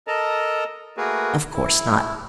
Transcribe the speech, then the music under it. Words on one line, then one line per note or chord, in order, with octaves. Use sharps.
Of course not!
A4 A#4 D#5 A5 A#5
A3 A#3 F#4 G#4 A#4 B4
E4